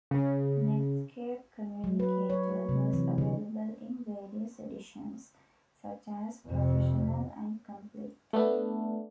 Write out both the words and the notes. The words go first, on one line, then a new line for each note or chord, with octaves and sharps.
Netscape Communicator was available in various editions, such as "Professional" and "Complete".
C#3
F#3
B4
C#5
C3
E3
D3
F2 C3
A3 B3 D4